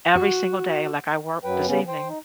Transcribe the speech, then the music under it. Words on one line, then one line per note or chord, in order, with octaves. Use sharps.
every single day, like, I worked this evening,
F#4
F#2 F#3 B4 G5
C#3 B3 C#4
C5 G5
D#4